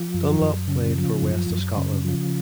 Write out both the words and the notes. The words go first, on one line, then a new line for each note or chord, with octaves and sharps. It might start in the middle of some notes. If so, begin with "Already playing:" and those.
Dunlop played for West of Scotland.
Already playing: F3
F#2
F#2
C#3
F3
F#2
F#2
C#3
F3